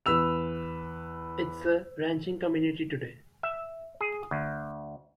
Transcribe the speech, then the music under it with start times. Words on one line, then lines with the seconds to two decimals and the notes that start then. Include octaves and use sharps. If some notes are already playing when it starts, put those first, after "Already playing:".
It is a ranching community today.
0.06 E2 B4 E6 F7
3.43 E5
4.01 G#4
4.31 D2